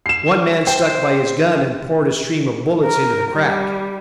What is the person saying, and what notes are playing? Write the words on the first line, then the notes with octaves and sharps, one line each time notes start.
One man stuck by his gun and poured a stream of bullets into the crack.
C7 E7
C5 G5
A#4
G3